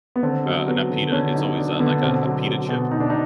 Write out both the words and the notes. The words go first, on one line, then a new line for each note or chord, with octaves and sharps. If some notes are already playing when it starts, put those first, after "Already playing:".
uh, not pita, it's always, uh, like, a, a, pita chip,
B3
D3 C4
F#3
F#3 B3
D3
D3 C#4
F#3 D#4
F#3 D4
D3 B3
B2 C4
F#3
F#3
B2
B2 D#4
D4
D#4